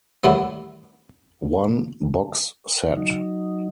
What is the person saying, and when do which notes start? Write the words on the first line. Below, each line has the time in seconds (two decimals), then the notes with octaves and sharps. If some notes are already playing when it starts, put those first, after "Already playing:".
One box set.
0.24 D#2 A2 E3 G3 B3
2.97 F#3 D#4